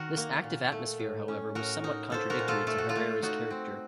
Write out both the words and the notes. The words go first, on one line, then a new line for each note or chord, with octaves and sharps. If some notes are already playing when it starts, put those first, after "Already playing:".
This active atmosphere, however, was somewhat contradictory to Herrera's character.
Already playing: D#3 F#4 A#4
A#3
A#2
A3
A2
C#4
A2 F#4 A#4
D#4
A#3 A4 C5
F#4 A#4
A#2
F4 A4
A3 A4
F#4
F4 A4
A3
D#4 F#4
C4